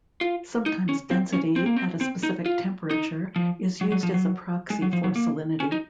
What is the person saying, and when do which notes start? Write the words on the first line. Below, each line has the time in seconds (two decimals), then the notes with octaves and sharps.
Sometimes density at a specific temperature is used as a proxy for salinity.
0.21 F4
0.66 D#4
0.89 C#4
1.11 C4
1.33 C#4
1.56 C4
1.66 A#3
1.76 C4
2.01 C4
2.23 D#4
2.46 F4
2.91 D#4
3.36 F3
3.81 F#3
3.92 F#3
4.03 F3
4.14 F#3
4.70 G#3
4.82 F#3
4.93 F3
5.04 F#3
5.16 A#3
5.60 C#4
5.72 D#4